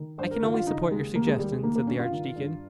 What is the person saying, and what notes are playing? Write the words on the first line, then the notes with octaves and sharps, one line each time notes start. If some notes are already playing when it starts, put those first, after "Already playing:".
"I can only support your suggestion," said the Archdeacon.
Already playing: D#3
G2 C5
A#4
D#3 F4
F4
C#3 D#4
D#2 G#3
D#2 A#3
G#3
D#2 G3
G#3
D#3 A#3
A#3
G2 C#4
F4
D#3
G2